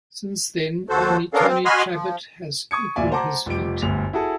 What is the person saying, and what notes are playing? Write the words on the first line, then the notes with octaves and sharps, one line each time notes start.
Since then, only Tony Trabert has equalled his feat.
D#2 F#4 A4 C5
B3 C#4 D4 A4 A#4 F5
C4
F#4 D#5 G#5 B5 C6 F6
F3
C#6 D#6 G#6 C#7
D1 A#2 F4 D5 E5 G#5
C5 F#5 A5 A#5 D6
F1 F3 G3 G4 D7
G1 D2 F7
E4 F#4 G#4 A4